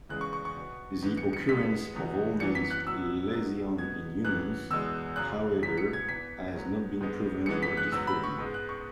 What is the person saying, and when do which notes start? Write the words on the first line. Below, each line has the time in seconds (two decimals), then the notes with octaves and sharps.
The occurrence of Olney's lesions in humans, however, has not been proven or disproven.
0.09 E2 C#3 G#3 B3 F#6
0.21 C#6
0.33 C#6
0.45 C#6
0.56 B2 B3
1.02 G#2 E3 B3
1.17 C#7
1.33 C#7
1.48 B2 G#3 B3 B6
1.94 E2 B2 F#3 B3
2.40 F#2 E3 B3 C#7
2.55 B6
2.70 F#6
2.86 B2 F#3 B3 E6
3.32 B2 F#3 B3
3.78 B2 B3 G#6
4.25 F#2 E3 B3 F#6
4.70 E2 B2 G#3 B3 E6
5.16 F#2 C#3 F#3 F#6
5.62 G#2 F#3 B3 B6
5.78 C#7
5.93 G#6
6.08 E2 E3 B3 B6
6.55 G#2 F#3 B3
7.01 G#2 G#3 B3
7.46 F#2 E3 G#3 B3 C#7
7.63 B6
7.77 F#6
7.92 G#2 F#3 B3 E6
8.07 B5
8.24 C#6
8.38 G#2 G#3 B3
8.54 F#6
8.69 C#6